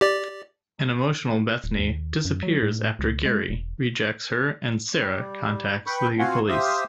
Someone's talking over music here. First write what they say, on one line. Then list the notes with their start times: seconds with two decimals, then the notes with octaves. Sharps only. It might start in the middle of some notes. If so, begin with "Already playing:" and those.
An emotional Bethany disappears after Gary rejects her and Sarah contacts the police.
0.01 G4 D5
1.64 D1
1.78 D#2
2.25 F#2
2.43 F#3
2.63 A2
2.99 C#2
3.26 G#3
3.49 E1
4.99 G3
5.87 B4 G5 B5 C#6
6.19 C4 F4 F#4 F5 F#5 G#5
6.49 G4 C5 E5 F5 D#6 E6